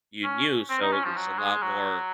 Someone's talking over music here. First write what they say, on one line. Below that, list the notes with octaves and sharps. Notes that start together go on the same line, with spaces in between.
you knew, so it was a lot more
C#4
C4
D#4
C#4
F3
F#3
G#3
F#3